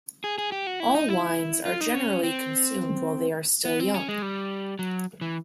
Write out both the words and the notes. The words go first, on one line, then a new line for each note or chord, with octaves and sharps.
All wines are generally consumed while they are still young.
G#4
G#4
G4
F#4
E4
D#4
E4
F4
D#4
C#4
C4
B3
C4
C#4
G#3
G3
F#3
E3